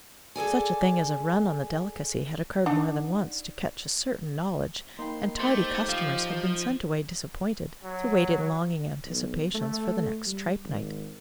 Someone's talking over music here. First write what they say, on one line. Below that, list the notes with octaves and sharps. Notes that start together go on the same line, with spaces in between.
Such a thing as a run on the delicacy had occurred more than once, to Ketch's certain knowledge, and tardy customers had been sent away disappointed, to wait in longing anticipations for the next tripe night.
G#4 A4 D5 G#5
D4 D#4 F#5
A#3 D#4 G5 B5 C6
A3 G4 C5
F3 F5
F#3
B1
A3
G3
G#1